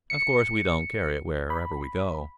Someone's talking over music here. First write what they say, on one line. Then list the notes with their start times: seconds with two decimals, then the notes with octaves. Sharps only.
Of course we don't carry it wherever we go.
0.10 C#7
1.50 B5